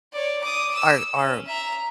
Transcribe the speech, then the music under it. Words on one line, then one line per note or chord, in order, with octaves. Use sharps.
our our
C#5 D5
D6 D#6
E6
C#4
E5 A#5